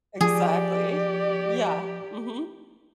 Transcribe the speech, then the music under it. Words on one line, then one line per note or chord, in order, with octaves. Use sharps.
Exactly. Yeah. Mhm.
F3 G4 G#4 D5